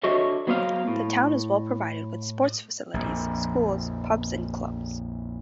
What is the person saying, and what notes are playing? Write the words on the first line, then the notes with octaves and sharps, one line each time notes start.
The town is well provided with sports facilities, schools, pubs and clubs.
D4 F#4 A4 C#5 D#5 E5
F#3 B3 C5 D#5 F5
A2
A#1 F2